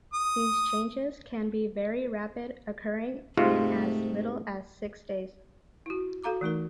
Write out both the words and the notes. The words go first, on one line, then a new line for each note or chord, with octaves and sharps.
These changes can be very rapid, occurring in as little as six days.
D#6
G#2 C3 A3 F4
E4 F#4
F#4 A4 F5 A#5 D6
E3 A3 D#4 A#4